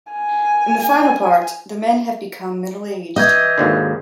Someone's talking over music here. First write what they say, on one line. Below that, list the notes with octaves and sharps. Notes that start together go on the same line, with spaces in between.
In the final part, the men have become middle-aged.
G#5
E3 D#5 D#6 G6 G#6
G#1 D#2 D3